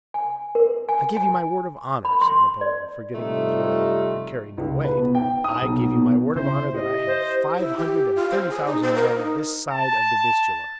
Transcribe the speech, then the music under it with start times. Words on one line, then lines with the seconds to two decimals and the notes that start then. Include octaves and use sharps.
I give you my word of honor," said Napoleon, forgetting that his word of honor could carry no weight--"I give you my word of honor that I have five hundred and thirty thousand men this side of the Vistula.
0.14 G#5
0.55 A#4
0.89 G#5
1.17 G#5
2.05 B5
2.21 C6
2.61 D5
3.14 C3 F3 G3 A3 D#4 F4
4.58 C#2
4.84 B4
4.97 B2
5.15 G5
5.44 D#6
5.62 B1
5.95 B2
6.36 C#3 E4 C5 G6
6.74 E4 G4 D#5
7.07 C5
7.57 E4
7.77 G4
8.16 F4
8.31 C5
8.50 G#4
8.66 D#4
8.82 C5
8.96 A#4
9.17 D#4
9.72 A5